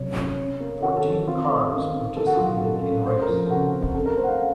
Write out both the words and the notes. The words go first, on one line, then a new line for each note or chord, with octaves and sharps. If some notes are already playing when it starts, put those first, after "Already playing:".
Fourteen cars participated in race.
Already playing: C3 F#3 A3 C#5
C#4
C#4
A#3
D#3 F#4
A4
D#3
F#4
C4 F4
A3
D#3
D#3
A#3 A4
F#4
F#3 F4
F#4
A#2 A4
A4
C#4
A3 C5
A#4
F3
A4
C#3 F#4
C4
C#4 A4
A#4
A3 C5
F#5
F5